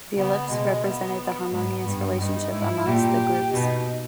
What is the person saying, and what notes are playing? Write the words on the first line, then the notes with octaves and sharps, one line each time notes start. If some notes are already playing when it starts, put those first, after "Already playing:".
The ellipse represented the harmonious relationship amongst the groups.
C#3 B3
B2 G#3
B3
G#2 B3
G2
G2 D#4
G#2 E4
A#2 G4
B2 D#4